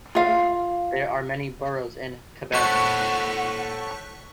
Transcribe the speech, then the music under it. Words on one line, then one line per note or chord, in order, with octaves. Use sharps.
There are many boroughs in Quebec.
F4 F5
A4 C5 C#5 F#5 C#6 F#6 B6